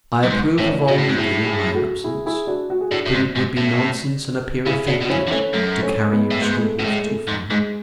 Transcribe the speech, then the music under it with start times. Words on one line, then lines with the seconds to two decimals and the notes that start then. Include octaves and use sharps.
I approve of all you do in my absence; but it would be nonsense, and appear affected, to carry your scruples too far.
0.23 F#2
0.30 G#2
0.58 A2 C#4
0.69 D4
0.78 E4
0.88 B2 D4 F#4
0.98 A2
1.08 G#2
1.16 A2 E4 G#4
1.46 E4 G#4
1.74 F#4 A4
2.04 E4 G#4
2.26 E4 G#4
2.47 D4 F#4
2.70 F#4
2.81 G#4
2.91 A2 D4 F#4
3.06 A2
3.13 G#2
3.36 G#2
3.57 A2
4.66 C#3 E4 G#4
4.88 B2 D4 F#4
5.02 B2 F#4
5.10 C#3 C#4 E4
5.28 D3
5.31 E3 A3 C#4
5.53 F#2 A3
5.82 A3 C#4
6.11 G#3 B3
6.31 A2
6.41 G#2 G#3 B3
6.57 G#3
6.62 A3
6.79 B2
6.84 A2 G#3
7.06 A3
7.28 G#2
7.51 G#2 G#3